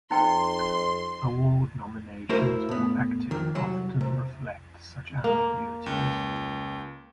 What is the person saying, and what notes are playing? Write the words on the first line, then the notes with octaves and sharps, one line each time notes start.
Award nominations for acting often reflect such ambiguities.
F2 D#4 G5 C6
A3 E4 F#4 A#4 C5 F5
A2 B3
F2 D#3
C2 F#3 F#5
C3
A#3
C#2